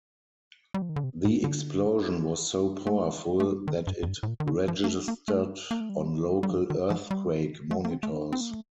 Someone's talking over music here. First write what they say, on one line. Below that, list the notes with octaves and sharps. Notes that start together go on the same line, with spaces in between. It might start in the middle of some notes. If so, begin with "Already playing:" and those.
The explosion was so powerful that it registered on local earthquake monitors.
G3
F3
D#3
D3
C3
A2
D3
A3
A3
G3
D#3
G2
F2
G2
A2
A#2
D#3
D3
F3
A#3
A3
A#3
A3
A#3
A3
G3
G3
F3
D#3
F3
G3
A3
A#3
C4
A3
A#3
C4
A#3
A3